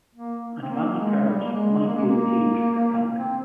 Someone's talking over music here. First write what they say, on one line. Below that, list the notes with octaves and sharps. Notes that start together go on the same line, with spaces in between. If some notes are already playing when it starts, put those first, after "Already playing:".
Advance permits must be obtained for camping.
A#3
C4
A#3
G#3
G3
A#3
G#3
G#3
A#3
G#3
A#3
C4